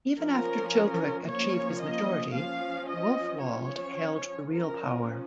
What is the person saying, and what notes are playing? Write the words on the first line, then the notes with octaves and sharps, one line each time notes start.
Even after Childeric achieved his majority, Wulfoald held the real power.
F3 C#4 A#4
F3 A#3 C#4 C#5
D#5
F3 C#4 F5
D#5
F3 C#4 C#5
F3 C#4 A#4